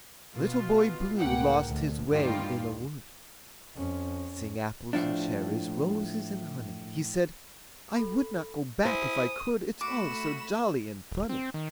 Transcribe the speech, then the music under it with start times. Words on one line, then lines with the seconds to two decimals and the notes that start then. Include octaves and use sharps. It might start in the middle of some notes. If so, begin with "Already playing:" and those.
Little Boy Blue lost his way in a wood. Sing apples and cherries, roses and honey; He said, "I would not go back if I could, It's all so jolly and funny."
0.35 B2 F4
1.18 C#2 A2 A#3 F#5 G5
1.67 D2
2.10 D2 G2 D#3 G3 F4 G4
3.75 F2 C#4
4.93 A2 F3 D4
7.96 A4 B5
8.85 E4 C5 G#5 D#6
9.81 A3 F#4 B5 D6 E7
11.12 D#1
11.29 C4
11.54 D#3